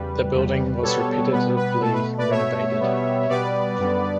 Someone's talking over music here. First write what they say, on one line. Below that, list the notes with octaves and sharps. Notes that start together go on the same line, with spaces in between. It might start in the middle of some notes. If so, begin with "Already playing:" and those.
The building was repeatedly renovated.
Already playing: E2 C#3 G3 B4
E2 C#3 G3
B2 G3 B3 A4 C#5
B2 G3 B3 B4
B4
B2 A3 A4
B4
B4 D5
B2 A3 C#5 E5
B2 G3 B3
B2 G3 B3 B4 D5
F#2 D3 G3 B3